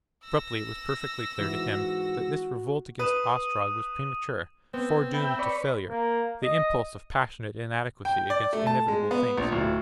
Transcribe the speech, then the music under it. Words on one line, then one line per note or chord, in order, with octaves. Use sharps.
Abruptly it was perfectly clear to him that this revolt against Ostrog was premature, foredoomed to failure, the impulse of passionate inadequacy against inevitable things.
E6 A#6
G#2 E3 F#4
B4 D#6 D#7 E7
B3 C4
E5 G5 B5
B4 C#5 D5
A#3
D#5
G5
D5
A3
A5
G#3
B3
A#1
D1